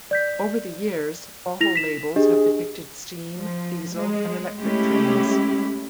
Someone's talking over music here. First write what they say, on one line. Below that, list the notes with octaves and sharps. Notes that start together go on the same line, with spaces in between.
Over the years bottle labels have depicted steam, diesel and electric trains.
D5 G6 B6
E4 A#6 F7
B6 E7
D4 G4 G#4 D#5
F3
G#3
G#3 A3 C#4 E4 G4